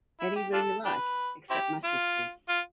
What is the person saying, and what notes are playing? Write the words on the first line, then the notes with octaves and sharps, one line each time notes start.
Any room you like, except my sister's.
E4
G4
D4 F4 A4
D4 G4 B4
C4 E4 G4
F4
F4